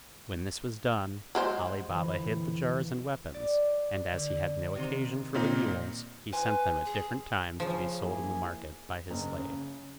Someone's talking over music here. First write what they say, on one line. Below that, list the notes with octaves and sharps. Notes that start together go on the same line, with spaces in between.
When this was done, Ali Baba hid the jars and weapons; and as he had no occasion for the mules, he sent them at different times to be sold in the market by his slave.
F#3 G#3 C5 F5
F2 D3 E3
D5
D3
C3 D#3 C5
A#2 C4 D#4
B4 G#5 C6
G#4
C#3 F3
A#3 E4 G#4
F#1
C#3